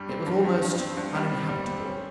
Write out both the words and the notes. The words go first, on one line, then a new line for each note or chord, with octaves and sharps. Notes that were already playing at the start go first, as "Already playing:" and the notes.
It was almost uninhabitable.
Already playing: G2 G3
C4
G2
G2
G2
C4
G2
G3
C4
G3
C4
C#4